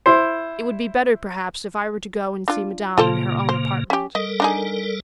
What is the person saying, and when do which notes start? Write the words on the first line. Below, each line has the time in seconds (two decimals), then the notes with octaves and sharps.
"It would be better, perhaps, if I were to go and see Madame in her own apartment."
0.06 E4 C5
2.48 D4 F4
2.98 A#2 C#3 A#3 F4 A4 C5
3.49 C5
3.90 C#4 G4
4.15 G3 A4 A#4 D#5
4.40 D4 D#4 G#4